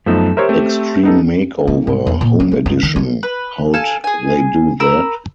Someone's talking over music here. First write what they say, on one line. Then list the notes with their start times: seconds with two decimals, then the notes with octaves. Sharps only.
Extreme Makeover: Home Edition: How'd They Do That?
0.06 F#2 F3 A3 B3 D#4 A4
0.37 G4 A#4 C5 C#5 E5
0.49 A3 C4
1.03 B3 D#4 A4
1.67 A#3
1.87 G#2
2.07 E2
2.21 A#2
2.40 F#3
2.52 A3
2.66 G2
2.83 D#3
2.96 F#3
3.23 B4
3.74 A4 F5 G#5 A5
4.04 G#4 G#5
4.80 A#4 B5 E6